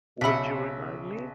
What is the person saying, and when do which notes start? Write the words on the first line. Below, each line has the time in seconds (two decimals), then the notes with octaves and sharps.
Will you remind me?
0.21 B1 C#3 E5 F#5 B5 B6